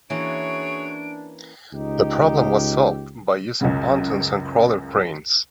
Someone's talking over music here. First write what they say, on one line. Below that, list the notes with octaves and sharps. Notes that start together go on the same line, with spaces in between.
The problem was solved by using pontoons and crawler cranes.
E3 A#3 C#4 D4 F#4 G#4 C#5 D7
C#2 D#4 G4
C#2 F#2 C#3